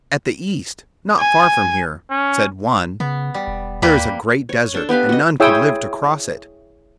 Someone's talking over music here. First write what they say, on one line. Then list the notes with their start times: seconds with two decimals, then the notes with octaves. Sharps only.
"At the East, not far from here," said one, "there is a great desert, and none could live to cross it."
1.19 G#5
2.11 C#4
3.00 C#3 B3
3.34 G3
3.47 E1
3.82 D#2 G3 A#3 B4
4.49 C#5
4.74 D4 A4
4.89 B3 G4 B4 F5
5.09 F#4 D#5
5.40 E4 G#4 C#5 G5 D#6 E6